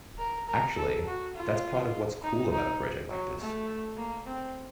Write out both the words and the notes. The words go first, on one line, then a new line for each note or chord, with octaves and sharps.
Actually that's part of what's cool about a project like this.
A#4
A#4
A4
F#4
F4
D#4
D#4
F#3
A3
A#3
C4